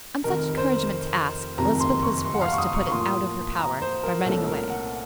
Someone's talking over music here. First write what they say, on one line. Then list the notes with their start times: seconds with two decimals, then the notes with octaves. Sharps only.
On such encouragement to ask, Elizabeth was forced to put it out of her power, by running away.
0.24 F1 F2 C3 D#3 A#4
0.58 C5
1.58 F#1 F2 C3 D#3 A#5
1.81 C6
2.02 C#6
2.25 C6
2.34 F#5
2.41 F5
2.53 C#6
2.58 D#6
2.75 C#6
2.86 C#6
2.92 A2 F3 A#3 C6
3.59 A#5
3.82 C5
4.03 A#4
4.26 C2 A#2 A3 C#4 A4
4.48 A#4
4.70 F#5